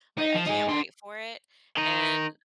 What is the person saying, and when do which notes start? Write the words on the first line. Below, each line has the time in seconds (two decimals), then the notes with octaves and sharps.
I I can't wait for it, and
0.18 D#4
0.34 F3
0.46 D#4 G#4
0.68 D4 C6
1.77 D#3 D#4